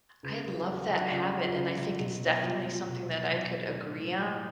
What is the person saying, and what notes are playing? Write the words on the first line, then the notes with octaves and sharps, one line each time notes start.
I love that habit, and I think it's definitely something that I could agree on,
C#3 G#4 B4
F#3
C#3 F#4 A4
F#4 A4
F#3
D4 F#4
C#3 F4
F4
F#3 D4
F4
C#3 F4
F#3
B2
F#3
B2 F4
F#3
B2
F#3
B2 D4
F#3
A2
F#3
A2